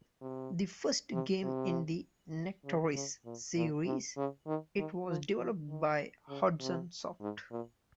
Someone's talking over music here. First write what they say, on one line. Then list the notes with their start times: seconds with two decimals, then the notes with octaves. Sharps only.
The first game in the "Nectaris" series, it was developed by Hudson Soft.
0.21 C3
1.13 C3
1.43 C3
2.65 C#3
2.95 C#3
3.25 A#2
3.56 A#2
3.85 C3
4.17 C#3
4.47 D#3
4.78 D#3
5.07 F3
5.38 F3
5.69 D#3
6.29 C#3
6.60 C3
7.21 G#2
7.51 A#2